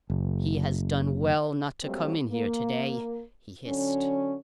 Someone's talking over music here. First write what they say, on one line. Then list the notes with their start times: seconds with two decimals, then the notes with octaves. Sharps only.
"He has done well not to come in here to-day!" he hissed.
0.10 F#1
1.83 F#3 G3 A3 A#3 C4
2.30 A#3
3.66 D3 F#3 C#4